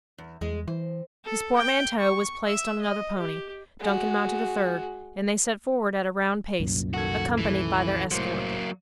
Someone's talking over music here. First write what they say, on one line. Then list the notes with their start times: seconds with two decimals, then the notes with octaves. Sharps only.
His portmanteau was placed on another pony, Duncan mounted a third, and they set forward at a round pace, accompanied by their escort.
0.18 E2
0.41 E2 G#3
0.68 E3 C4
1.25 A4
1.56 G5
1.99 C#6
2.46 E5
2.81 D#5
3.19 G4
3.80 G#3 F#4
6.60 C2 F#2 A#2
6.94 D#3 F#4 A4 G#6
7.38 E3
8.11 C2 A2 F#3 A#3 C5